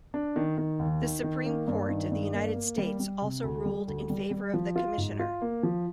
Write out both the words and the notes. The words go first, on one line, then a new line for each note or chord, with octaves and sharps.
The Supreme Court of the United States also ruled in favor of the Commissioner.
D4
D#3
D#3
D#2
D#3
D#3
A#3
G2
D#3
G2
A#3
A#3
G3
G3
C3
D2
G3
D2
G3
G3
F3
F4
G#2
F4
A#3
F3